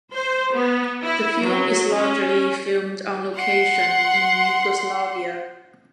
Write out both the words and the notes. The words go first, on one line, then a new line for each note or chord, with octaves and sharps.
The film is largely filmed on location in Yugoslavia.
C5
B3
E4
F#3
C#4
F#5 C6